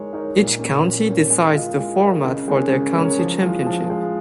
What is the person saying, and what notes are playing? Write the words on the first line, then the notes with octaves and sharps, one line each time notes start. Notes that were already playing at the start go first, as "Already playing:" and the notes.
Each county decides the format for their county championship.
Already playing: G#3 D#4 A#4 C#5
D#4 A#4 C#5
A#2
A#3 C#4
A#2
A#3 C#4
G#3
F4 A#4 D#5
G#3
F4 A#4 D#5
C#3
G#3 C#4 A#4
C#3
G#3 C#4 A#4
F3
G#3 F4
F3
G#3 F4